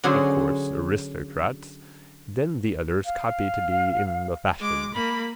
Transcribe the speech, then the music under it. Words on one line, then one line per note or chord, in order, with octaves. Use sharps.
Of course aristocrats, then the others copy to be in the fashion.
D3 F#3 C#4 G#4 C5 F#5
F5
G#3 D6
A#3 B5